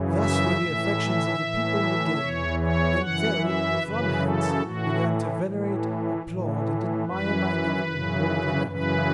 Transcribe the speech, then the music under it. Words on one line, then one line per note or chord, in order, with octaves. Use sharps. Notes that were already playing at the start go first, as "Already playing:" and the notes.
Thus were the affections of the people regained; and they, from hence, began to venerate, applaud, and admire my government more than ever.
Already playing: F#2 C#3 E3
E5
A2 E3
A2 E3
E2 E3 C#5
C#5
F#2 E3 F#5
E5
F#2 C#3 E3 B4
A4
A2 E3 F#4
A2 E3
A2 E3
F#2 E3 B4
F#2 C#3 E3
F#2 C#3 E3 B4